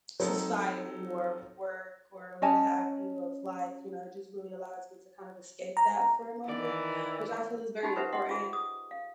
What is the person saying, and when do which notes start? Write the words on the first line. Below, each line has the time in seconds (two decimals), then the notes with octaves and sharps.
society or work or what have you of life, you know, it just really allows me to kind of escape that for a moment, which I feel is very important,
0.20 F#3 C4 D#4 A4
2.42 C#4 D#5 G#5 A5
5.77 A#5
6.49 D#3 E3 D5
7.83 D#4 F#4 G4 B5
7.96 F4 A4 B4 C5 E5 F#5
8.13 D#5 E5 F#5 G5 C6
8.29 F4 G#4 E5
8.53 D#6
8.91 F5